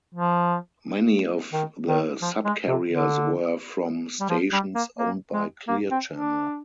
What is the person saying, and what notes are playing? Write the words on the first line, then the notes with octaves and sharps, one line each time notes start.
Many of the subcarriers were from stations owned by Clear Channel.
F3
D#3
D#3
F3
G#3
C3
D3
G3
F3
G3
A#3
A#3
G#3
A#3
C4
D4